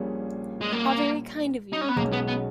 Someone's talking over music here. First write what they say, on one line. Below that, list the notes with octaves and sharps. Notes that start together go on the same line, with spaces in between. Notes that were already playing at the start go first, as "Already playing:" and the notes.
How very kind of you!
Already playing: A#1 A#2 G3 C#4 G#4
G#3
A#3
D#4
C#4
B3
B1 B2 G#3 A#3 C#4
B3
B3